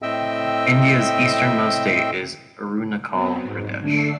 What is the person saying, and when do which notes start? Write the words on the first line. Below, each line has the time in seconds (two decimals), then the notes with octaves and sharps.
India's eastern-most state is Arunachal Pradesh.
0.02 A2 C4 D#5 E5 G5 E6
3.10 F#3 B3 C4
3.44 G#2
3.81 D3 A3 D4 E6 C7